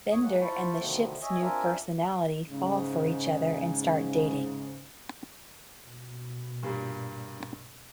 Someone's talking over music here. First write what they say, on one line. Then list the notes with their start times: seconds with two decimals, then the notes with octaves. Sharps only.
Bender and the ship's new personality fall for each other and start dating.
0.12 F2 A2 C#5 D#6
0.23 G#3 A#3 F#5
0.41 E4 F4 C5 A5 B5 C#6
0.79 B2 D3 D#3 F3 A3 B3
1.22 C#5 D#5 E5 G#5
1.41 C4 D4 F4 A#4 E5 G#5
2.48 G#2 C#3
5.85 B2
6.63 G2 A#2 G3